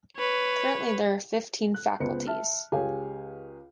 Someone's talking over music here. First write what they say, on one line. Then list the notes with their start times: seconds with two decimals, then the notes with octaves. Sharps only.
Currently there are fifteen faculties.
0.17 B4 C#5
1.74 F#6
2.00 C#2 B3 C5 C#7
2.27 E5 A5 F6
2.72 C#2 G4 G#4 C#5 F5 G#5